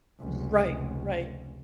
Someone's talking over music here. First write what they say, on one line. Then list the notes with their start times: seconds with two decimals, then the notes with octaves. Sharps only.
Ye right, right.
0.20 F1 C#2